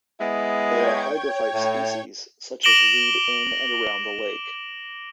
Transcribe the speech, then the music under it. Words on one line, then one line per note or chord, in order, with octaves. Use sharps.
There are hydrophyte species such as reed in and around the lake.
G#3 B3 E4
C#5 G5 G#6
A2
D6 A#6 D7 E7 F#7 G7